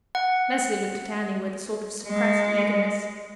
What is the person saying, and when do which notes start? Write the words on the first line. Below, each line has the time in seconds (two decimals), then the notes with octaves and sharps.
Leslie looked at Annie with a sort of suppressed eagerness.
0.15 F#5
2.08 G#3